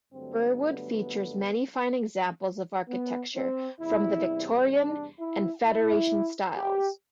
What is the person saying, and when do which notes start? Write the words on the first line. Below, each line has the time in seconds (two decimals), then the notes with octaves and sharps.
Burwood features many fine examples of architecture from the Victorian and Federation styles.
0.13 G2 D3 F#3 A3 C4
0.59 B3
2.89 B3
3.36 C4
3.80 E2 C3 G3 E4
4.73 D4
5.20 E4
5.65 E4
6.56 G4